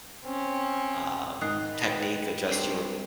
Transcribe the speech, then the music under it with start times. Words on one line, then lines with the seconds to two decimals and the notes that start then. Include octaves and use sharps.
um, technique, adjust your m m
0.24 C4 C#4
1.41 G#2 D#3 D#6 F#6 C7
1.72 B5
1.89 B4 G5
2.48 C2 C4 D4 C7 D#7